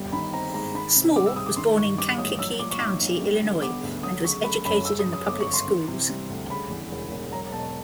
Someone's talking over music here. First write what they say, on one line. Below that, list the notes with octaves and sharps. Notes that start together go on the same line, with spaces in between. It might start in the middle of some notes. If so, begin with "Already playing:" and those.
Small was born in Kankakee County, Illinois, and was educated in the public schools.
Already playing: G1 G3
D#3 B5
C4 A#5
G#2 A#5
D#3 B5
C3
G3 D6
E6
C#2 D#6
D6
D#3 C6
G2 C#6
G3 D6
A1 D#6
F#3 E6
A#2 D6
C#6
B1 D6
B1
G3
D3
B3 D6
D2
F#3 D#6
C#3 C#6
A3 B5
F#2 B5
C#3 E6
D#6
F#2
D#6
G1 D6
C#6
G1
C6
E3
C3
G3
D2
C#3 B5
E2
E1
E1
F#3 A#5
B2 A5